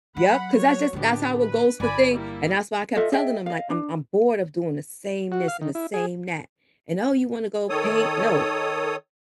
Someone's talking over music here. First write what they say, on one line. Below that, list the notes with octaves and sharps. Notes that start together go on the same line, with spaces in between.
Yep, 'cause that just that's how it goes for thing, and that's why I kept telling them, like, "I'm I'm bored of doing the same this and the same that," and, "Oh, you wanna go paint?" "No.
F#3 F#5 B5
F#4 C#5
A1 D3 B3 D4 G4
B4
G1 D5 G#5 B5
G3 A#3 E4
F4 A4 D#5 E5
G#4 D#5 E5 G5
D#5 F5
D4
F#4
F5
D#3
E4
G#4
D#3 A4 C#5 D#6